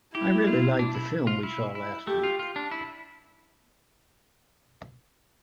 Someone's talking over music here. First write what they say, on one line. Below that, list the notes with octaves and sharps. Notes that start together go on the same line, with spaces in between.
I really liked the film we saw last week.
E4 G4
F4
D4
E4
F4
E4
E4
A3 G4
F4
F4
D4
E4